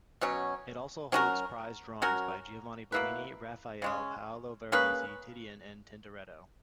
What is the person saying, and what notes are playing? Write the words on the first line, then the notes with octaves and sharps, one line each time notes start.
It also holds prized drawings by Giovanni Bellini, Raphael, Paolo Veronese, Titian, and Tintoretto.
B2 F#3 C#4
F#3 C#4 F#4 A#4
F#3 C#4 F#4 A#4
B2 A#3 E4 B4
C#3 G#3 C#4
A#3 C#4 G#4 B4